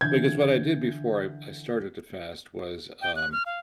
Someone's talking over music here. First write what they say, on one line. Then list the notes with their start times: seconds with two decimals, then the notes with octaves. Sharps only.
because what I did before I I started to fast was, um,
0.01 D3 E3 G6 G#6
3.01 G5
3.16 F#6
3.32 F6
3.46 F5